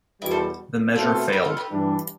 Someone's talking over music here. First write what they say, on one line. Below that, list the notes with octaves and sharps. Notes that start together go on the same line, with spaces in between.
The measure failed.
E2 B2 G3 E4
A4 C5
B2 A3 C4 F4 A4
C5
G4 B4
F4 A4
G4 B4
G2 E3 G3 D4